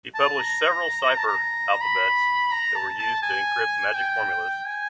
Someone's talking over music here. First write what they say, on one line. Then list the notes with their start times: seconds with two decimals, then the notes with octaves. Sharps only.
He published several cipher alphabets that were used to encrypt magic formulas.
0.15 A5
0.39 A#5
1.10 A#5
1.19 A5
1.27 A#5
1.81 B5
2.52 A#5
2.76 A5
2.99 A5
3.23 G#5
3.94 G5
4.65 G#5